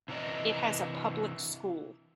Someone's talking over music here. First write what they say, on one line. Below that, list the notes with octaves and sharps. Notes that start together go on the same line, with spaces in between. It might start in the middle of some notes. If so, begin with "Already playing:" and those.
It has a public school.
C3 E3 A#4 D5 D#5